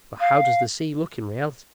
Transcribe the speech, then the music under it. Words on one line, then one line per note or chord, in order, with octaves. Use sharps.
But how does the sea look in reality?
F5